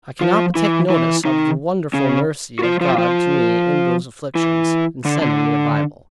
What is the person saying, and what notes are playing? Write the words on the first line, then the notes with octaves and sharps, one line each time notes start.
I cannot but take notice of the wonderful mercy of God to me in those afflictions, in sending me a Bible.
F3 F4
E3 E4
E3 E4
D#3 D#4
C#3 C#4
F#4
F3 F4
F3 F4
F3 F4
E3 E4
D3 D4
D3 D4